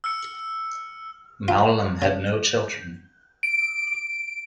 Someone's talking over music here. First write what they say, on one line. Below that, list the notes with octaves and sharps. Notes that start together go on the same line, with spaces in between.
Mowlam had no children.
E6 F6 C#7
F4
C#3
D7